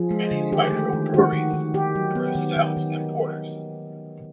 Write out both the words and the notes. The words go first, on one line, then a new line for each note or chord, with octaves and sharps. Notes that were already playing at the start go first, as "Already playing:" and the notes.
Many microbreweries brew stouts and porters.
Already playing: F3 G#4
G#3
D3
D#3 G4
A3
D#3
D#3 F#4
D#3
D#3
D#3 G4
F#3
B3
D#3
D#3
D#3